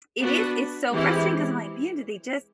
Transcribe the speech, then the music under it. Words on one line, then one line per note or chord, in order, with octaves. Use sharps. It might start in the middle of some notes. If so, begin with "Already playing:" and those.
it is, it's so frustrating, 'cause I'm like, "Man, did they just,
B3 D4 F#4 B4
E3 G#3 C4 E4 G4